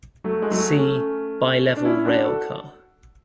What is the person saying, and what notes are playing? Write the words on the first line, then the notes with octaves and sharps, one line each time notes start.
See Bilevel rail car.
F#3 A3
G#3
F#3 A3
A3 C#4
D4
C#4 E4
D4 F#4
F#4 A4